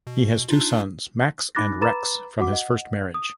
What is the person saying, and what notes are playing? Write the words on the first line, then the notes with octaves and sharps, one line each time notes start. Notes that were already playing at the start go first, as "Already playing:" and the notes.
He has two sons, Max and Rex, from his first marriage.
B2
D4 D#4 F4
D#4 B5 D6 F#6 A6 A#6
B4 A#5 B5 D6 A6 E7
F#4 F#5 D6
D#5 F#5
D#6